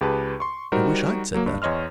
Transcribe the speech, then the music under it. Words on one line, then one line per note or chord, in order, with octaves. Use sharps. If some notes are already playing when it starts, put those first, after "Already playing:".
"I wish I'd said that."
C#2 G4 G#4 B4 A5
C6 C#6
G3 D#4 F#4 A#4 C5
F#3 A#3
G2
E2 C#5 D#5 C6 F6